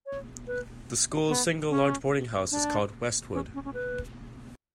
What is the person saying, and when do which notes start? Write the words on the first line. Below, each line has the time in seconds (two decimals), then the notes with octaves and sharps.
The school's single large boarding house is called Westwood.
0.06 C#5
0.47 B4
1.29 B3
1.70 C#4
2.51 D4
3.34 C#4
3.54 C#4
3.65 C#4
3.74 B4